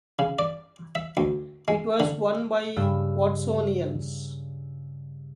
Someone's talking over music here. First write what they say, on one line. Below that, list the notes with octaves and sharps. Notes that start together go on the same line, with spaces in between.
It was won by Watsonians.
C#3
D5
E5
D2
G#3
D3
G2 C#3 E6